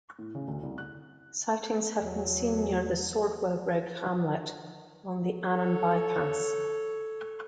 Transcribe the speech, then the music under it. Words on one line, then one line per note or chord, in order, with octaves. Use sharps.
Sightings have been seen near the Swordwellrigg hamlet on the Annan bypass.
A2
C#3
D2
C2
F#6
E2 F#3
A4 C#5